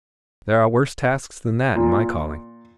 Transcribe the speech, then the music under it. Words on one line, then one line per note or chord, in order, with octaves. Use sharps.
There are worse tasks than that, in my calling.'
A#2